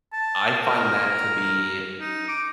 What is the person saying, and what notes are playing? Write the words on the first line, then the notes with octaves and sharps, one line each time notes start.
I find that to be
A5
A#4
D#4
D6